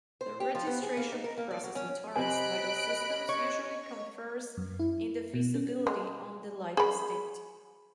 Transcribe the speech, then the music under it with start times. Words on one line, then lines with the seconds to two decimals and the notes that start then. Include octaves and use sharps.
The registration process in Torrens title systems usually confers indefeasibility on the life estate.
0.21 C5
0.40 G4
0.55 F3
0.67 B3
0.83 G#4
0.97 A#3
1.12 D#4
1.24 A#4
1.38 A#3
1.51 D5
1.64 F#3
1.75 C#4
2.16 C3 C5 D#5 G#5 B5 F#6 D7
3.29 C#5
4.57 F#2
4.79 E4
5.34 B2
5.55 C#4
5.87 G#3
6.77 G#4 B5